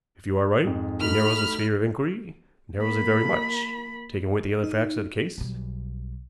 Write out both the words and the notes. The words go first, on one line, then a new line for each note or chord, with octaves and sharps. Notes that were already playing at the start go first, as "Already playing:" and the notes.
"If you are right, it narrows the sphere of inquiry--narrows it very much, taken with the other facts of the case."
F2 G#2
A3 D#4 F#4 B5 F6
A#3 B5
D#4
B1 G3